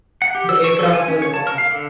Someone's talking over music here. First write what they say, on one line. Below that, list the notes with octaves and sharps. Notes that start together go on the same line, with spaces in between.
The aircraft was gone.
F#5
G4
E6
C#6
A4
G#5
C#4
C#5
A5
A#4
F5
D3